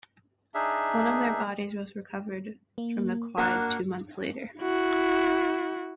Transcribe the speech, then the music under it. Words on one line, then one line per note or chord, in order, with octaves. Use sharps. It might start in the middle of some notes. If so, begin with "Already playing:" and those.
One of their bodies was recovered from the Clyde two months later.
D4 D#4 G#4 E5
A#3
A#3 D4 F#4 A#4
E4 F#4